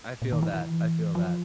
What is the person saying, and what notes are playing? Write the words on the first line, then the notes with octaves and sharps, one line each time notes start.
I feel that. I feel that.
A#2
D#3
E3
E3
F3